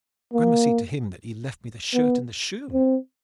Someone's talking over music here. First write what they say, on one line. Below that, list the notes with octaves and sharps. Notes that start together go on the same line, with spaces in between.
Gramercy to him that he left me the shirt and the shoon.
A#3
B3
C4